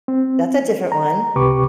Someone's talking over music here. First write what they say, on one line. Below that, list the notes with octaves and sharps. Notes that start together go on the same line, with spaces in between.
that's a different one.
C4
A#5
C#2 C3 G4 B4 C#6 D6